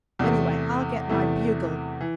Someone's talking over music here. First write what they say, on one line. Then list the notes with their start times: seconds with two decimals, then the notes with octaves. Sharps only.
Anyway, I'll get my bugle.
0.19 E2 C3 E3 A3
1.09 E2 C3 E3 A3
2.01 E3